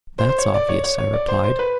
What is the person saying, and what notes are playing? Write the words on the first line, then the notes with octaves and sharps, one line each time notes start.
"That's obvious," I replied.
C5
C5
C#5
D5
C#5
C#5
C#5
D5
C5
C5
B4